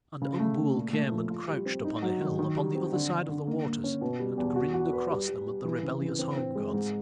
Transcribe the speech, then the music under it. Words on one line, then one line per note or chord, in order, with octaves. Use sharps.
And Umbool came and crouched upon a hill upon the other side of the waters and grinned across them at the rebellious home gods.
C#3
A3
A3
A#2
A3
F3
F4
G3
C4
D#4
F#3
D#3
D#3
G3
C4
D3
D3
D3
A#3
A#3
C#4
B2
G3
E2
F#4
F#4
B4
G3
G3
G3
E3
C#3
E3
C4
C4
G#3
G#2